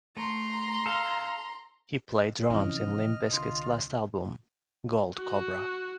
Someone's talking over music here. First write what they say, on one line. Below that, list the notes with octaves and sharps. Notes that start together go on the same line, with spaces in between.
He played drums in Limp Bizkit's last album, "Gold Cobra".
A3 A#5 C6
A4 F5
C3 E3 F3 C#4 D#5 F6
C2 D3 F4
F#4